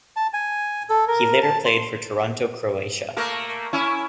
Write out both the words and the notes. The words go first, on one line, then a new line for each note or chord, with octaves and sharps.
He later played for Toronto Croatia.
A5
G#5
A4
A#4
A5
C6
A3 A#3 A#4
C#4 E4